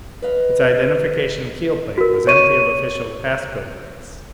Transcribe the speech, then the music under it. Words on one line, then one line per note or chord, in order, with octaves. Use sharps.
Its identification keel plate was empty of official pass code lights.
B4 D#5 F5
F#4 A#4
C#5 C#6 D#7